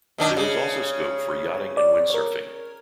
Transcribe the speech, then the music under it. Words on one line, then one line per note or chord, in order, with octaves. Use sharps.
There is also scope for yachting and windsurfing.
B2 D#3 D4
C#3
D5
A#4 C#5